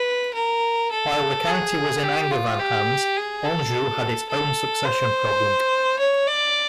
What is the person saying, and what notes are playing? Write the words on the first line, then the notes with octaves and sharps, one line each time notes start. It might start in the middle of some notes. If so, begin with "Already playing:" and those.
While the county was in Angevin hands, Anjou had its own succession problem.
Already playing: B4
A#4
A4
G#4
G4
F4
G4
G#4
A4
A4
C5
C#5
D5